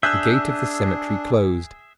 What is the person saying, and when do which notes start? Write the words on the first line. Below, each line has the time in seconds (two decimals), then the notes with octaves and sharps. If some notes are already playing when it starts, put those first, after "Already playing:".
The gate of the cemetery closed.
0.03 D4 G#4 E5 E6 F#6 G6